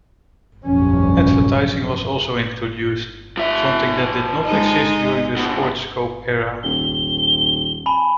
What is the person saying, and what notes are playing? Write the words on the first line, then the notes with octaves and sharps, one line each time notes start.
Advertising was also introduced, something that did not exist during the Sportscope era.
F1 A#1 G2 F3 F#3 C#4
F3 E5
G#3 D#4
F2 B2
D#1 G7
G#5 A5 B5